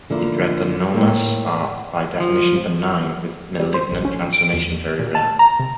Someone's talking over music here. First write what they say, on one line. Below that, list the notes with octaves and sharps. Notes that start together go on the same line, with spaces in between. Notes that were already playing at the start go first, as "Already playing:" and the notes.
Hidradenomas are by definition benign, with malignant transformation very rare.
D3 F3 A#3 E4
A2 A#3 C4
F3
G3
C5
A1
C#4
D7
E2
A#2
A5
A#5
C3